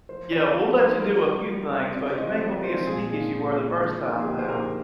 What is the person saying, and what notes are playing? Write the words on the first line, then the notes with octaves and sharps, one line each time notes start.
Yeah. "We'll let you do a few things, but you ain't gonna be as sneaky as you were the first time now."
F3 C5
C4 D#4 D5
F3 D5
C4 D#4 C5
G3 A#4
D4 F4
G3
D4 F4
C3 D5
F3 G#3 C4 F4 D#5
C3 D5
F3 G#3 C4 F4 C5
A#2 G#4
G#3 D4 F4
A#2
G#3 D4 F4
D3
F3 A#3 D#4
G#4
D3 G4
C5
F3 A#3 D#4 A#4